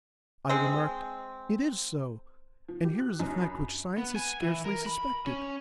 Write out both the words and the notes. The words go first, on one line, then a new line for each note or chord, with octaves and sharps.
I remarked: "It is so; and here is a fact which science has scarcely suspected."
G#3 C4
F3
G4
F#6
F#2
B5
B3
G#5
E3
A#4
B5
C#4